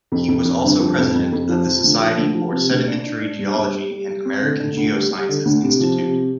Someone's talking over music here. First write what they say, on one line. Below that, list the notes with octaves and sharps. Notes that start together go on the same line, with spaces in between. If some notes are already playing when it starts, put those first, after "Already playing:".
He was also president of the Society for Sedimentary Geology and American Geosciences Institute.
F2
F2
F2
G1
F3
F2
F2
F2
F3
F3
D2
F3
D2
F3
C3
D2
D4
D4
D4
G2
G2
G3
G3
G3
C4
D3
D3
D2
G3
G3
D3
D2
C3
F3
C3